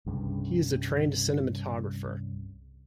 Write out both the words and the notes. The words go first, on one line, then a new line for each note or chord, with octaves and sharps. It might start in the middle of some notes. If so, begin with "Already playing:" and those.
He is a trained Cinematographer.
C2 G2 C#3